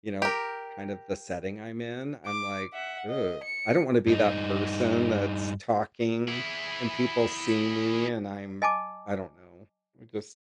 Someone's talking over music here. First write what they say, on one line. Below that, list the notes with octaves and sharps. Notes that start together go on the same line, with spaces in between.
you know, kind of the setting I'm in, I'm like, "Ew, I don't wanna be that person that's talking, and people see me, and I'm" I don't know, I just
G4 A#4
D6
E5 F#5
D#5
C#7
G2 D#4
E4 G#4
D#5 G#5 A5 D6